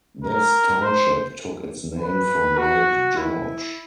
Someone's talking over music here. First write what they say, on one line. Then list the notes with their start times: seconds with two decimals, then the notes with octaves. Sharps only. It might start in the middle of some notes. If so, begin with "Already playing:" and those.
This township took its name from Lake George.
0.24 A#4
0.82 C5
1.99 B4
2.57 F#4
3.17 E4